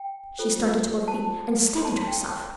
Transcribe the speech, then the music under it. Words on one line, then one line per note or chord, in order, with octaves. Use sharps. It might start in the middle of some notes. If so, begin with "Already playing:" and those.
She started to her feet, and steadied herself!
Already playing: G5
F4 A4 C5
F4 A4 C5 A5
D4 A4 C5 C6
A5
C6
G5
A5